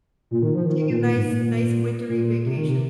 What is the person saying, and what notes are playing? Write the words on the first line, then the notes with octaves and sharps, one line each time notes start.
Take a nice nice wintery vacation.
A#2
D#3
F3
D#3
D#3
A#2
A#2
G#2
A#2
A#2
C3
D#3
C3